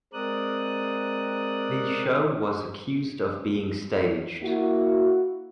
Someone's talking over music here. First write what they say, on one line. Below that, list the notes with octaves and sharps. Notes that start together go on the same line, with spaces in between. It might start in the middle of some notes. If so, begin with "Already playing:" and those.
The show was accused of being staged.
G#3 C4 A#4 D5 D#6 F#6
A#3 E4 F#4